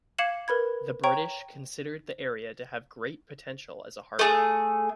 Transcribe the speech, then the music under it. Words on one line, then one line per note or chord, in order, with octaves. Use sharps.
The British considered the area to have great potential as a harbour.
F5 D6 G#6 C#7 E7 F#7
A#4 B4 B5 G#6
C#5 G5 A#5 C#6
A3 G#4